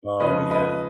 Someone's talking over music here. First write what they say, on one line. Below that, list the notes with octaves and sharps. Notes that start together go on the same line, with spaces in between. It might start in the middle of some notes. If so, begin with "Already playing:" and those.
Oh, yeah.
C#3 F3 G#3 D#4 B4 D#5
B4 D#5